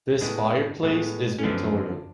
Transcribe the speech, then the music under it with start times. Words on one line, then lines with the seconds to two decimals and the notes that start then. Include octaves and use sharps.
This fireplace is Victorian.
0.21 A2 G#3 B3 D4
0.83 A2 G#3 B3
1.39 C#4
1.43 F#2 D3 F3 B3 D4